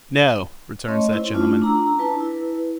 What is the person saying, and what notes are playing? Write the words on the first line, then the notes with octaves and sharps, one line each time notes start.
'No,' returns that gentleman.
A3 C#4 C#5 D#5 C6
E4 C5
A3 C#4 D4 F4
D4 A#5 E6
E4 B4 A5
E4 B4